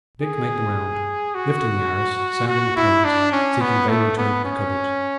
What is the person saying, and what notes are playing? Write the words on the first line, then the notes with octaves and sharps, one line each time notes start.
Dick made the round, lifting the arras, sounding the panels, seeking vainly to open the cupboards.
G#4
F#4
F#4
E4
D4
C#4
B3
A3
B3
C#4